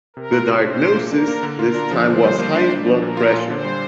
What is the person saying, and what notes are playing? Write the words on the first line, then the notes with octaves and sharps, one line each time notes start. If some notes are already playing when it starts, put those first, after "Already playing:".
The diagnosis this time was high blood pressure.
C3 A#4
F4
C3
D4 C5
A#2
A#3
D4 A#4
A#3
D3
F4 A#4
D4
F3
D3 C5
G3
A#3
D4
D4
F3
A#2 A#4
F4
A#2
D3 C5
G3